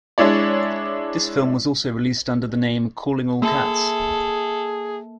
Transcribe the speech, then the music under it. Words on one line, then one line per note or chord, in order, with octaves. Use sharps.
This film was also released under the name 'Calling All Cats'.
G#3 D4 E4 C#5 D5
A#3 G#4 A4